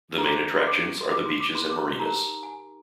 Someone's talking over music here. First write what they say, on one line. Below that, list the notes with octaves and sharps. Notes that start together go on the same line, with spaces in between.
The main attractions are the beaches and marinas.
A#5
D4 G#4 C5 C6
C6
D6
C6
D6
C6
D6
C6
D6
C6
D#4 G4 A#4 A#5
G#5